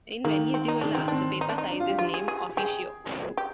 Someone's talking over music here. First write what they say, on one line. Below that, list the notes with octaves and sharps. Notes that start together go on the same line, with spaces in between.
In Venezuela, the paper size is named "oficio".
D#3 A#3
C4
D#4
D#3 D4
D#3 C4
C4 D4
D#4
D4
D#4
D4
F4
G4
F4
G#4
G#4
G4 G#4
G4